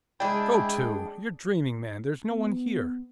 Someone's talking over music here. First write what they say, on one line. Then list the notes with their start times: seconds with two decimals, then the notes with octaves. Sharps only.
'Go to!--you're dreaming, man!--there's no one here.'
0.20 G#3 D4 E4 G#4 G5
2.30 B3